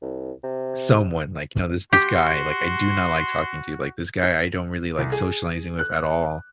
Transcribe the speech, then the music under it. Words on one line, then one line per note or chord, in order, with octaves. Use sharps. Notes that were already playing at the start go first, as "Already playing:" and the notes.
someone, like you know, this this guy, like, I do not like talking to you. Like, this guy, I don't really like socializing with at all.
C2
C3
F#4 G4 C6
C2
G#4
F#6